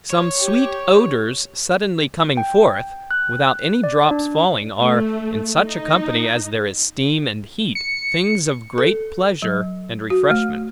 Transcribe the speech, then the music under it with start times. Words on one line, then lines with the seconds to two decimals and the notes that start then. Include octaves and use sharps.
Some sweet odors suddenly coming forth, without any drops falling, are, in such a company as there is steam and heat, things of great pleasure and refreshment.
0.10 C#5
0.40 G4
2.37 G5
3.11 F#6
3.84 D5
4.11 D4
4.79 A3
5.66 D#4
7.75 C#7
8.78 A4
9.42 F#3
10.10 F#4
10.31 A3